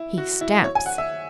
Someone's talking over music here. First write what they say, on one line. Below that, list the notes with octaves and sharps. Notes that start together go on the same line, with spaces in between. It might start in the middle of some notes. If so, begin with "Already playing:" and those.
He stamps.
Already playing: E4
F#4
E4
C#5
G#5
F#5
E5